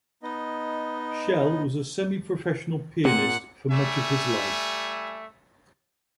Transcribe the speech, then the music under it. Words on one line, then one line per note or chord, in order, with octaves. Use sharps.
Schell was a semi-professional pianist for much of his life.
B3 D#4 D#5
A#2 C4 F#5
G3 A3 E5 G#5